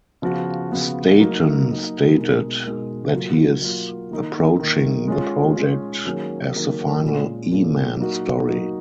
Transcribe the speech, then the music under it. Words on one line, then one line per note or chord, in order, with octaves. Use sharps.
Staton stated that he is approaching the project as the final E-Man story.
C#3 F3 B3 F#4
C#3 F3 B3 F#4
F#3 A#3 D#4
F#3 A#3 D#4
B2 G#3 D#4 A#4
B2 G#3 D#4 A#4
F#3 A#3 F4
F#3 A#3 F4
D#3 A#3 D#4
D#3 A#3 D#4
G#3 C#4 F4
G#3 C#4 F4
D#3 F#3 A#3 C#4 G#4
D#3 F#3 A#3 C#4 G#4
A#2 G#3 C#4 F4 A#4
A#2 G#3 C#4 F4 A#4
F#3 A#3 D#4 F#4 A#4
F#3 A#3 D#4 F#4 A#4